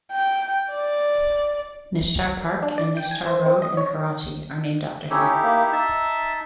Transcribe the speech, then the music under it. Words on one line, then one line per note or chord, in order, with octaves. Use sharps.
Nishtar Park and Nishtar Road in Karachi are named after him.
G5
D5
D4
D5
G5
G#5
C5
C4
D#5
C#5
C#4 D#4 E4 G4 A4 C#5
A#3
D#4 E5 A5